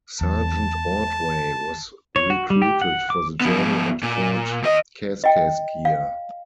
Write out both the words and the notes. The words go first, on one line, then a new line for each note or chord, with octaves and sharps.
Sergeant Ordway was recruited for the journey at Fort Kaskaskia.
E2 A5
C#5
F#4
G3
G4
F#5
D6
F3 B3
A#2
D#2 D#5
D#5 G5
F5